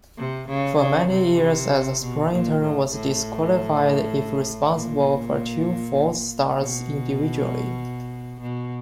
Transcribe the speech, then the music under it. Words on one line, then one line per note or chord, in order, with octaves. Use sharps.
For many years a sprinter was disqualified if responsible for two false starts individually.
C3
C#3
C#3
C3
B2
A#2
A2
A2
A#2
B2
B2